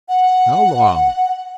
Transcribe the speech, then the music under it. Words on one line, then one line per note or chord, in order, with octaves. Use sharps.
"How long?"
F#5